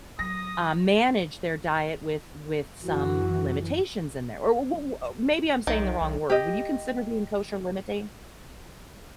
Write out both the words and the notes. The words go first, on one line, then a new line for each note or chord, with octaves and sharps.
um, manage their diet with with some limitations in there or wh what maybe I'm saying the wrong word, would you consider being kosher limiting?
F#3 D#6 A#6
F#2 E3 F#4
B1 D#3
B1
G4 D#5